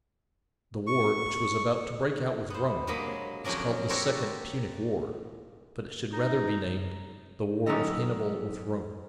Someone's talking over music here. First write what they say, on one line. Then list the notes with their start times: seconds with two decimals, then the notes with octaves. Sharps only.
The war which was about to break out with Rome is called the second Punic war, but it should rather be named the war of Hannibal with Rome.
0.87 C#6
2.50 B3 C5
2.87 G2 F#3 G#3 A#3 D#5 B5
3.45 F2 D3 F#3 C#4 A#4 D5
3.90 F#4 G4 A4 A#4 C5 C#5
6.13 D#4
7.66 F#3 C#4 D#4 G4 A4 D#5